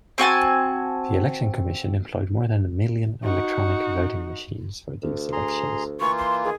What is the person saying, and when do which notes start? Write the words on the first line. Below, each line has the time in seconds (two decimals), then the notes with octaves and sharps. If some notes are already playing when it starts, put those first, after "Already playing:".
The Election Commission employed more than a million electronic voting machines for these elections.
0.18 C4 F#4 G#5 A5
3.23 D#4 F#4
5.03 D2
5.32 G#4 A#5 C6
6.00 E3 A#3 F4 C#6
6.18 C6
6.44 D#3 G#4